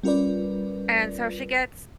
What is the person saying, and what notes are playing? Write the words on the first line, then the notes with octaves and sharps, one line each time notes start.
and so she gets
G3 C#4 F4 A#4 B4 D5